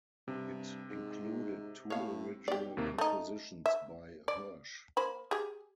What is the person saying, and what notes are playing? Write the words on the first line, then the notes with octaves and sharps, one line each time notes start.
It included two original compositions by Hersch.
G2 C3
G#2
A2 C#5 F5
B1 G4 D5
D#2 C3 A#3
A3 D#4
E5
D5
A#3 C5 B5
G4 G#4